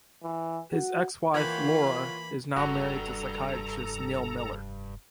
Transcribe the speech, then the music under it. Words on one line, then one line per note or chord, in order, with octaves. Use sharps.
His ex-wife, Laura, is now married to psychiatrist Neil Miller.
E3
F#4
E3 A#3 F4 C#5 F#5 G5 B5
F1 G2 F#4 A4 A#5